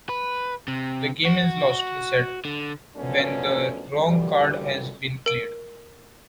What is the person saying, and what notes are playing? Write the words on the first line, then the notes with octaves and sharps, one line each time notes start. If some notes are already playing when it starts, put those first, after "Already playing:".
The game is lost, he said, when the wrong card has been played.
B4
C3
F#4
D3
F#2 D3 F3 A3 B3 C#4
F#2 A#2 D3 E3 G3
A#4 D7